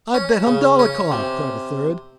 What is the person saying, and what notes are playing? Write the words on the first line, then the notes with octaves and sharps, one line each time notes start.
"I bet on Dolokhov!" cried a third.
C#4
C#3
C#4
C3